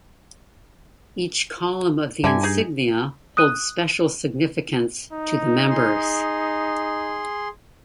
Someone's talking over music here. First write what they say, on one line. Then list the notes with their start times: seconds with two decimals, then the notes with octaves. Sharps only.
Each column of the insignia holds special significance to the members.
2.24 G2 D3 E5 G#5
2.43 D#4 G#4
3.37 D#6 F#6 D#7
5.12 D#4
5.70 G#4 C6